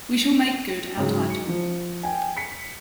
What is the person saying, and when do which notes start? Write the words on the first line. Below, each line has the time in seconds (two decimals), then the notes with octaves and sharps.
We shall make good our title.
0.97 G#2 C#3 F#3
1.30 C#7
1.48 F3
2.03 G5 G#5
2.37 B6 C#7